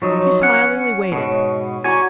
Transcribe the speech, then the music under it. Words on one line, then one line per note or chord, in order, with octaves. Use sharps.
She smilingly waited.
F3 F#3 D#4 C#5
C#4 F#5
G#2 B2 C#5 D#6
F#4 C#5 D5 G#5 A#5